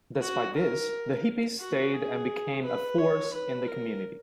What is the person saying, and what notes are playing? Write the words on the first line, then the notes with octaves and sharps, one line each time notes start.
Despite this, the hippies stayed and became a force in the community.
F#4
A#4
F#4
G#4
B4
C#5
B4
A#4